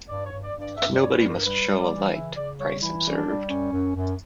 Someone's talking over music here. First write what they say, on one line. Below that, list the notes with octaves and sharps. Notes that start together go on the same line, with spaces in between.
"Nobody must show a light," Price observed.
G2 D5
C#5
G2
D5
G2
D5
G2 E5
D5
G3 C#5
B4
G2
A#4
G3 B4
G3
D5
E3
C#3 E5
C#3 D5
G3 C#5
E3 E4
G3
C#4
D4
G3
F#2 C#4
F#2
F#2